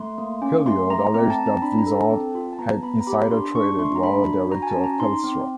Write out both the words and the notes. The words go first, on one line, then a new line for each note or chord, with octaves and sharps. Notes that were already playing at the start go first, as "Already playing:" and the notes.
Hilliard alleged that Vizard had insider traded while a director of Telstra.
Already playing: A3 C6
A#3
C#4
A3 C6
A3 A#5
C4 A#5
A5
C4
A#5
D4 B5
A#5
A4
A5
C4
F4
A5
B3 A#5
B3 B5
A#5
G4 B5
D4 C6
D4 C#6
A3 C6
A#5
D4 B5
F#4
F#4 A#5
G#5
A5
C#4
A#5
D#4 C6
C4